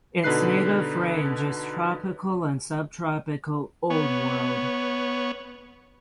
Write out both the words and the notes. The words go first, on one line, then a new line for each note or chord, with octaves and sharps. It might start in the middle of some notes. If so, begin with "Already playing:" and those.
Its native range is Tropical and Subtropical Old World.
B2 D3 D#4 B4 F#6 C7
B3 C#5